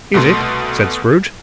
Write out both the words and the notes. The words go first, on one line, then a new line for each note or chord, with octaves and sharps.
'Is it?' said Scrooge.
C2 B2 A3 C6